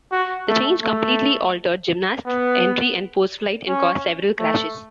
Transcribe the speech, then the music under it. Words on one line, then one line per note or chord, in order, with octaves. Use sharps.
The change completely altered gymnasts' entry and postflight and caused several crashes.
F#4
A3
A3
B3
C#4
A3